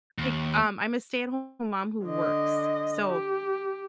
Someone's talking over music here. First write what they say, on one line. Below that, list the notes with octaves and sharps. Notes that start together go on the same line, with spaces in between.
like, um, I'm a stay-at home mom who works, so
D#2
D3 D#5
G4